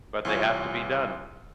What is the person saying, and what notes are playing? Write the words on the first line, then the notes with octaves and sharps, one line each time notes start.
but they have to be done.
C2 E3 F4 C#5 G#5